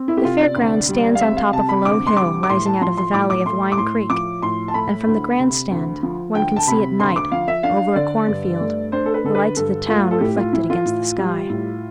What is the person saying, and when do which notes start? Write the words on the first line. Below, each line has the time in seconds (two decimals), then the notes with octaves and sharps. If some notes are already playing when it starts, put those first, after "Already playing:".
The Fair Ground stands on top of a low hill rising out of the valley of Wine Creek and from the grand-stand one can see at night, over a cornfield, the lights of the town reflected against the sky.
Already playing: C4
0.08 E4
0.17 G4
0.24 C3 F4
0.41 D5
0.56 D2
0.89 G3
1.15 F5
1.20 C4 E5
1.37 F5
1.53 C3 A5
1.69 B5
1.85 D2 D6
2.07 C6
2.17 G3 D6
2.43 D6
2.49 A2 C6
2.66 A5
2.81 F3 C6
2.97 C6
3.14 A2 D6
3.30 D6
3.46 A3 C6
3.72 D6
3.78 A2 C6
4.10 F3 D6
4.42 A2 C6
4.68 A5
4.74 A3 B5
5.07 D2
5.39 C3
5.71 D2
6.03 F3
6.35 D2 G5
6.56 A5
6.67 C3 B5
6.99 D2 C6
7.16 D6
7.32 F3 F5
7.48 E5
7.63 D4 F5
7.96 D3 D5
8.28 G2
8.61 A3
8.92 D4 C5
9.06 A4
9.14 B4
9.24 D3 A4
9.35 B4
9.56 G2 A4
9.89 A3 F4
10.11 A4
10.21 A2 G4
10.37 F4
10.53 E3 E4
10.70 F4
10.85 A2
11.18 G3
11.50 A2